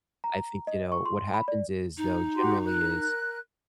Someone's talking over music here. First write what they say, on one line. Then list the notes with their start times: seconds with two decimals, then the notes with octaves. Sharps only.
I think, you know, what happens is though generally is
0.24 A#5
0.67 D#5
0.92 C#6
1.06 C6
1.34 B5
1.48 D5
1.97 D#4
2.36 F#4 G4 C6
2.65 A#4 F#6